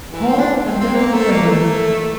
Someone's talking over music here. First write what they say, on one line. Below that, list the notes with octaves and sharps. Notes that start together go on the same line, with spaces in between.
Paul and then on to Denver.
E3
C4
D4
C4
C4
A#3
A3
A#3
A3